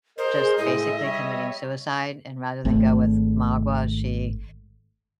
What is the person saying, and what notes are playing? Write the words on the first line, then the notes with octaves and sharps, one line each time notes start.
just basically committing suicide. And rather than go with Magua, she
G#4 A#4 C5 D#5
A2 G#3 D#5 E5
G3 C#5
G#1 A3